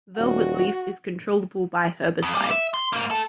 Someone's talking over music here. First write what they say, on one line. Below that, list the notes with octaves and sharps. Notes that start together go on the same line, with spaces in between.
Velvetleaf is controllable by herbicides.
D#1 F#4
F2
G3 A#3
E5
C6
G#2 A#3
A3 A4